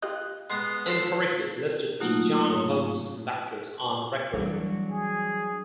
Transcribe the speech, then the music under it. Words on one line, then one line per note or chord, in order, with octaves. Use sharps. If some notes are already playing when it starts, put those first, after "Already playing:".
Incorrectly listed in John Holmes's Conductors on Record.
F4 G4 D#5 F#6
G#3 B3 A#5 C6
A4 C5 C6
F#3 A3 A#3 D#4 F4 F#4
G#2 C#5 D#6
E3 F#3 G3 D4 F#4
G#4